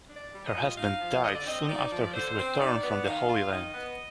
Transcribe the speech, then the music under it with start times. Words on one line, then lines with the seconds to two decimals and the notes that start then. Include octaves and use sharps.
Her husband died soon after his return from the Holy Land.
0.09 D4
0.16 D5
0.33 G3
0.48 D#5
0.55 F4
0.77 D#4 F5
1.00 F3
1.23 D3 D#5
1.35 D5
1.46 C4 D#5
1.69 D#4 D5
1.91 F3
2.02 D5
2.14 D3 C5
2.37 C4
2.59 D#3 D5
2.82 B3
3.05 D#3 F5
3.27 F4
3.50 D#3 D#5
3.73 B3